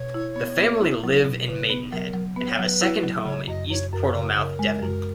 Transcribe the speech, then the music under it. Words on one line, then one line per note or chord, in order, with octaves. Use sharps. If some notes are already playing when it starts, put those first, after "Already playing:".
The family live in Maidenhead, and have a second home in East Portlemouth, Devon.
Already playing: B2 C#5
E4
B3
B3
E4
F#3
B2
A#4
C#3 B4
B3
F#3 A#4
F#3
B3 B4
C#5
F#3 B4
E4
F#3
C#3 C#5
F#2 D#5
F#2 C#5
F#2 A#4
C#3 A#4
C#3 A#4
G#3
F#2